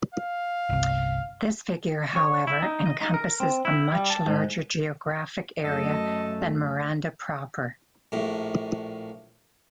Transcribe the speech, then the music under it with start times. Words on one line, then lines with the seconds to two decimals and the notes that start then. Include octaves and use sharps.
This figure, however, encompasses a much larger geographic area than Miranda proper.
0.14 F5
0.69 G1 C2
2.16 C#5
2.47 E4
2.62 D#4
2.86 D#5
3.01 D#4
3.14 A#4
3.40 C4
3.65 E4
3.92 G3
4.10 A5
4.26 G#2
5.64 F#2 A3 A4 D#5
8.12 A#1 A2